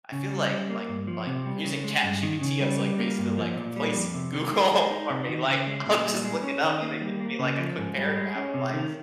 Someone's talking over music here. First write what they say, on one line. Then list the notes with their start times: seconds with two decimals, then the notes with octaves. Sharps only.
I feel like like like using ChatGPT, I was, like, basically, like, replace Google for me, like, I'll just look it up and they give me, like, a quick paragraph of, like,
0.12 C#3
0.31 G3
0.50 G3
0.69 A#3
0.88 G2
1.07 F3
1.27 C3
1.46 G3
1.65 C#3
1.84 G#3
2.03 G2
2.23 D#3
2.41 C#3
2.61 G3
2.80 G3
2.99 A#3
3.18 G2
3.37 F3
3.56 A#2
3.76 G3
3.95 F2
4.14 C3
4.33 D#3
4.52 G#3
4.72 G#3
4.90 D#4
5.10 C3
5.29 D#3
5.48 C#3
5.67 G#3
5.86 A#2
6.05 G3
6.24 G#3
6.43 C#4
6.63 D#3
6.82 A#3
7.01 G3
7.20 A#3
7.39 C#3
7.59 F3
7.78 G#2
7.97 G3
8.16 G#3
8.35 C#4
8.54 C3
8.73 D#3